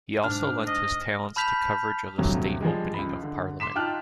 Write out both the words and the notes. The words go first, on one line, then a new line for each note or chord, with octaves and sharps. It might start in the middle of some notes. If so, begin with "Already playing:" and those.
He also lent his talents to coverage of the State Opening of Parliament.
G#2 D4 F6
D#5
A5 B5 F6 G6 B6 F7
D#1 G2 C3 F#3
F3 G3 G#3
C#2 B5
D3
C6 D6 B6 E7
D#4 F4 G5 A5 F6 F#6